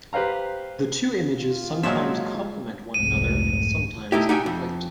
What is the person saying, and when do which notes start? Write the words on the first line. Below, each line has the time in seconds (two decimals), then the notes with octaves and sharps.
The two images sometimes complement one another, and sometimes conflict.
0.13 G4 B4 C5 F5 A#5
1.39 F4
1.83 A#2 F3 F#3 G#3 E5
2.94 F1 C2 G#2 D#7
4.12 A3 D#4 E4 G4
4.29 D#4 F#4 G4 E5 G5 G#5
4.46 F2